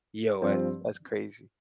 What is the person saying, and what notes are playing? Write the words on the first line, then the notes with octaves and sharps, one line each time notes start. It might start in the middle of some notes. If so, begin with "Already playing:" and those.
yo, that's that's crazy.
G2 F3 C4 G4 C5